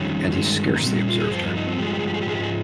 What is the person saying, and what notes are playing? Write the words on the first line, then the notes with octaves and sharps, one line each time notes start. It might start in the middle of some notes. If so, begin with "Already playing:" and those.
And he scarcely observed her.
Already playing: F2 D#3 G3 C#4
G2 D#3 G#3
A#3
A#2 G3 C4
C#4
F4
G#4
G2 F3 C5
F4
D#4
C4
G2 F3 G#3 G4
G#4
G4
G#4
G4
G#4
G4
G#2 F3 G#3 G#4
G4
G#4